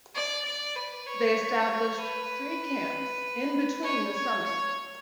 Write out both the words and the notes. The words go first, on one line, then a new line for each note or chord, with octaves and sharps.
They established three camps in between the summit.
D5
D5
B4
C#5
B4
C#5
C#5
C#5